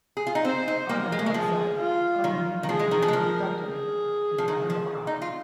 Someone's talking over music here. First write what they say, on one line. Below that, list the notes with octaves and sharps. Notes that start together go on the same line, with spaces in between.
On the north side, underneath the original refectory, is the undercroft.
G#4
F4
D#4
C4 C5
D#4
A#3 A#4
G#3
A#3
G#3
F3 G#4
F4
D#3
D#3
F3 G#4
G#3
D#3
F3
G#3
F3 A#4
G#4
F3
D#3
F3
D#4
F4